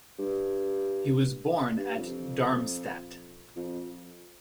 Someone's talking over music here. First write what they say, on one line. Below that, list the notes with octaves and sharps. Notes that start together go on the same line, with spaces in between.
He was born at Darmstadt.
G2
G2
F2
F2